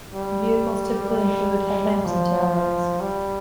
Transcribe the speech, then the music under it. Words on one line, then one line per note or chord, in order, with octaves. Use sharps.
Vehicles typically include headlamps and tail lights.
G3
G3
F3
G3